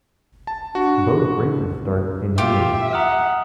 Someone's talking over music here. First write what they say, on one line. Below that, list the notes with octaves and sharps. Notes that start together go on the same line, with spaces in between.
Both races start in Newlands.
A5
D4 F#4
F4 G4 E5
F#5 A#5 D#6 F6